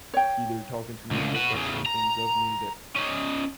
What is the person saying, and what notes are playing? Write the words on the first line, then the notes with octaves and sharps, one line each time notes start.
either talking to me or requesting things of me that
C#5 G5
C#2 D3
F#4 B4
E2 C#3
A#5
C#4 D#4